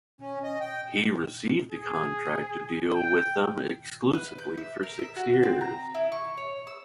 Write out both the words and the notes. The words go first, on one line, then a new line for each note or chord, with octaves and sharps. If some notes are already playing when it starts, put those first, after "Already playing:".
He received a contract to deal with them exclusively for six years.
C#4
D#5
G5
G#4
G5
B4
G6
E5
A#4
E5
F#4
C4
A#5
E4
C#6
C#5
E6